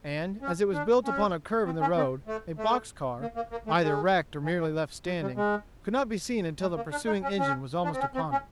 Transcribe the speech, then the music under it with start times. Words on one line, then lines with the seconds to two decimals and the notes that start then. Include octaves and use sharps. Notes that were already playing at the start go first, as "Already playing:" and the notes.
And, as it was built upon a curve in the road, a box-car--either wrecked or merely left standing--could not be seen until the pursuing engine was almost upon it.
0.42 C#4
0.73 D4
1.05 C#4
1.66 C4
1.81 C#4
1.97 C4
2.27 A3
2.58 A3
3.21 A#3
3.36 A#3
3.51 A#3
3.67 A3
3.83 G#3
4.44 E3
4.59 E3
5.06 F#3
5.21 G3
5.37 G#3
6.61 G#3
6.76 A#3
6.91 D4
7.06 D#4
7.23 C#4
7.39 C#4
7.84 D4
7.93 C4
8.00 C#4
8.15 C4
8.31 C#4